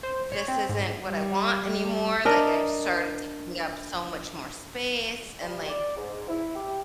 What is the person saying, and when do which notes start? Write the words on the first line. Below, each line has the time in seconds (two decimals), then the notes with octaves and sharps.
this isn't what I want anymore, like, I've started taking up so much more space, and like,
0.03 C5
0.32 C#5
0.48 C4
0.69 G#2
1.07 G3
1.64 G3
2.25 D4 A#4 D#5
5.41 G3
5.69 D5
5.97 G#2
6.28 E4
6.56 G4